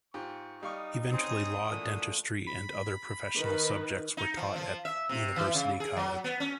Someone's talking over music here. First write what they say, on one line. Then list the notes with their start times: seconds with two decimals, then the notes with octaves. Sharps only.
Eventually, law, dentistry and other professional subjects were taught at University College.
0.14 G#2 F4 G4 C#6
0.63 G3 D#4 F5 C#6 D#6
1.12 C4 C#4 D#6
1.70 A#2 D3 E3 A3
2.48 B5
3.38 D#3 B4
4.17 D#4
4.37 F3
4.56 F3
4.85 E5
5.09 C3
5.36 E3
5.54 C#3
5.80 G#4
5.97 F#3
6.24 B3
6.40 C#4